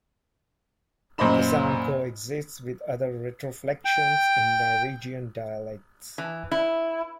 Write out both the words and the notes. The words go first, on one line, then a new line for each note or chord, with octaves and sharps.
The sound coexists with other retroflexions in Norwegian dialects.
F#2 A#2 C5 D#5 B5 E7
G5
E3
E4